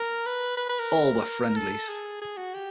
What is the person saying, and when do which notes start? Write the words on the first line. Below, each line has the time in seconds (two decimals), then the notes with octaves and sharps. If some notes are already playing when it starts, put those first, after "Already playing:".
All were friendlies.
Already playing: A#4
0.26 B4
0.57 B4
0.69 B4
0.79 A#4
1.56 A4
1.89 G#4
2.21 G#4
2.37 F#4
2.54 G4